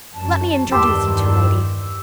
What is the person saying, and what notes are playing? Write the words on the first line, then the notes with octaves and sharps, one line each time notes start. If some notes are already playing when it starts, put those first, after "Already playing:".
Let me introduce you two ladies.
F#2 F#3 A5
E2 G2 D#3 G4 E5 C6